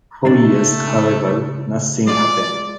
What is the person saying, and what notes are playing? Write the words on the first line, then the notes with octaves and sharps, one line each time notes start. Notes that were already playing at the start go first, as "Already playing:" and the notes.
For years, however, nothing happened.
C#3 G#3 A3 D4
G#3 F4 D5